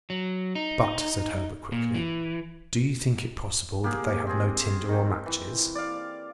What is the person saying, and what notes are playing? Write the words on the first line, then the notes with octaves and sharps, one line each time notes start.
"But," said Herbert quickly, "do you think it possible that they have no tinder or matches?"
F#3
D#4
A#2
E3
A#3 G4 G#4
C4 G#4
D#3 G5
E3
D5 F5